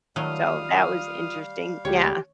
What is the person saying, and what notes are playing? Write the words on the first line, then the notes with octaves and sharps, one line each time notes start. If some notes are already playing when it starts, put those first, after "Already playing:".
So that was interesting, yeah.
D#3 F#3 G3 A3 F4 F5 D#6 F6
D2 G#3 G4 C#5 D5